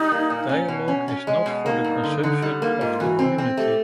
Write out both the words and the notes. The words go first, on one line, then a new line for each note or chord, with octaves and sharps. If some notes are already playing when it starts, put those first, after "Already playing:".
Dialogue is not for the consumption of the community.
Already playing: G3 D#4
A#3
A#2
C#4
B2
C#4
C#4
G#3
B2
A#3 D#4
G2
D3
D3
G3
A#3
G#2 F4
E3 F#4
C4
C4
A3 G4